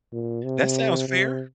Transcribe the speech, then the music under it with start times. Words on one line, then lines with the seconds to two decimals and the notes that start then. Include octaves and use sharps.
That sounds fair.
0.13 A#2
0.45 C3
1.08 C3